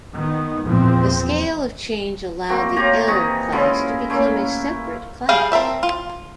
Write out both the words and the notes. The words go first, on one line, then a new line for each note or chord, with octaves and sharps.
The scale of change allowed the L class to become a separate class.
D#3 B3
E2 A#2 F3 C4
A3 A#3 C4 F#4
F4 G4 C#5 A#5
C3 E3 D#5 C#6
G#3 C#4 E4 F4
A3 A#3 C#4 E4
G3 G#4 F5 G5
C4 A#4 E5 A5
F4